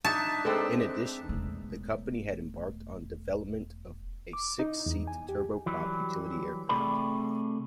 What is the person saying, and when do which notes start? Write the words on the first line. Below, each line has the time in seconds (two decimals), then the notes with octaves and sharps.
In addition, the company had embarked on development of a six-seat turboprop utility aircraft.
0.05 D4 D#4 E5 A5 C#6
0.45 G#3 C4 A4 B4 D5
1.29 E1 A3
4.33 D6
4.59 D#4
4.86 E2
5.07 G#5
5.29 G4
5.66 E3 F#3 G3
6.69 C3 A3 G#4 D5 B5